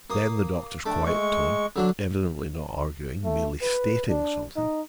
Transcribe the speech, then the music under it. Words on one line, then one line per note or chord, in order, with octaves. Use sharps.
Then the doctor's quiet tone, evidently not arguing, merely stating something.
A#3 D#6
A3 D4
G#3 C#6
D3 F#3 D4
A3
B4
D4
D#4